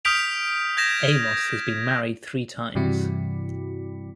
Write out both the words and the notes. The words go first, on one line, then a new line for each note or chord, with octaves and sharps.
Amos has been married three times.
D#6 F6 G6 B6 D7 F7
G6 G#6 A#6 E7
G2 C3 E3 G3 E4 F#4